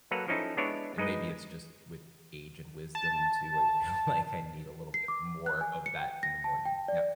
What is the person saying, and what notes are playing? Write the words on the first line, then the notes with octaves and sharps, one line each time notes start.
and maybe it's just with age and wisdom too, I feel like I need a little bit more of that in the morning Yep,
F#3 A#3 A4 B4 F#5 A#5
F3 C#4 D#4 E4 A4
G#3 B3 D4 E4 C#5 D5
G#3 D#4 B4 D#5
A5
C7
D6
F#6
G#5
C#7
G5
A#6
A5
G5
D5